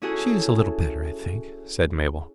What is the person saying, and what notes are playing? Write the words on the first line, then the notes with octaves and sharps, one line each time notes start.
"She is a little better, I think," said Mabel.
C#4 E4 F#4 G#4 A4